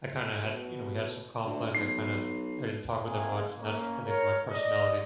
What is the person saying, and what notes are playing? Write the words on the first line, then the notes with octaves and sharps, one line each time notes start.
I kinda had you know, we had some conflict, I kinda I didn't talk with her much and that's I think my personality
B2
D2
B1 C7
A3 A#3 C4 G#4
A#3 C#4
A#4 C#5
D5 D#5